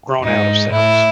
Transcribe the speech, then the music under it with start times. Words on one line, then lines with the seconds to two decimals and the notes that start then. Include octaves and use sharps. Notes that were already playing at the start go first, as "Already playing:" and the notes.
grown out of sales.
0.23 G#2 D#4
0.71 A2 E4